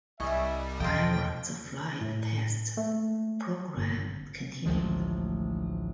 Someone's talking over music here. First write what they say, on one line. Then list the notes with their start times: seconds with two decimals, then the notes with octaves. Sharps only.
However the flight test program continued.
0.20 C2 G3 D#5 E5 G#5 C#6
0.80 E2 B2 F3 A4 D#5 F5 G5 C6
2.01 A2
2.77 A3
3.77 G1
4.66 A1 D2 F3 G#3